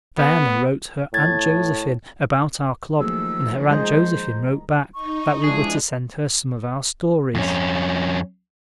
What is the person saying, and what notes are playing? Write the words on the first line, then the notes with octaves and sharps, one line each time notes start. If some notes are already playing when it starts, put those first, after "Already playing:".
Diana wrote her Aunt Josephine about our club and her Aunt Josephine wrote back that we were to send her some of our stories.
B3
A2 G#6 A6
D#3 F3 F#3 A3 A#3 G#4 E6
G#3 G#4 C5 D#5 A#5
D#4 C#6
E3 F3 G#3 D4 G#4
F2 C#4